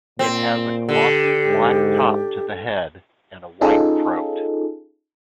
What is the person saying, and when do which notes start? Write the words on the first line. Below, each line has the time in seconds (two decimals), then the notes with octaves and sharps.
It has a glossy black top to the head and a white throat.
0.19 A#2 C4
0.89 D3 G4
1.48 G#2
3.61 C#4 D#4 F4 G#4 A4